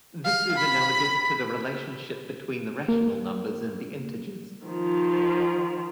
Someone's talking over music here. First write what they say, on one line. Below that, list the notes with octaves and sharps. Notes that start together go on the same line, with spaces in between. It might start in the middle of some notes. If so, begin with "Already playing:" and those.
This is analogous to the relationship between the rational numbers and the integers.
F5
B5
A#3
D#3 F3